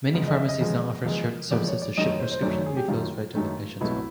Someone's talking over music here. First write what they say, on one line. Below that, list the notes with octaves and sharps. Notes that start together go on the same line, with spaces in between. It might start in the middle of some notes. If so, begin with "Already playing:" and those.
Many pharmacies now offer services to ship prescription refills right to the patient's home.
E2 C#3 F3 G#3
D#5
E5
D#5
E2 C#3 F3 G#3
E2 C#3 F3 G#3
E2 C#3 F3 G#3 D5
C#5
D5
F#2 D#3 F#3 A3 D#5
C#5
C5
C5
F#2 D#3 F#3 A3 D5
C#5
G#4
G4
F#2 D#3 F#3 A3 F4
F#2 D#3 F#3 A3
C2 B2 F#3 A3 E4